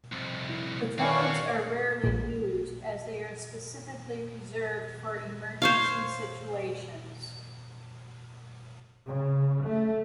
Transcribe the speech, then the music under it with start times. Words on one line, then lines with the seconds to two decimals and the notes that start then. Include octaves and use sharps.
The codes are rarely used as they are specifically reserved for emergency situations.
0.12 C2 F2
0.50 E4
0.98 D#3 E3 C4 D4 F#4 C#5 F5 C#6
2.04 A#1 A#2
5.62 C5 C#5 F5
9.06 C#3
9.64 A3